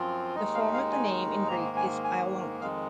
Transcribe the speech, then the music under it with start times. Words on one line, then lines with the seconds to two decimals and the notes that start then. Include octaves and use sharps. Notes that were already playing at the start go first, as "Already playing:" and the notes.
The form of the name in Greek is "Iolanthe".
Already playing: F#2 F3 C4 F4
0.36 D#2 D#3 G#3 D#4 D#5
0.55 F5
0.74 F5
0.92 G#5
1.48 G#2 D#3 A#3 A#5
1.77 G#5
2.04 G#5
2.60 F2 D#3 G#3 F5